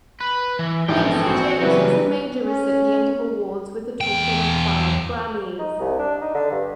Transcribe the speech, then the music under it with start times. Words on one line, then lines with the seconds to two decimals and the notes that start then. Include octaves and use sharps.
Quincy Jones was the major recipient of awards with a total of five Grammys.
0.20 B4
0.59 E3
0.89 A#1 G#2 E3 A4 G5
1.19 C4 F#4
1.61 C#3 E3 F#3 G3 F#4 B4
2.43 C#4
4.01 E2 G5
5.59 D#4
5.79 C2
5.98 D4
6.21 D#4
6.34 D3
6.51 G2